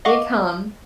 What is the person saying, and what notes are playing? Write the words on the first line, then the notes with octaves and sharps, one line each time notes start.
they come,
D#5 F5 F#5 C#6 D6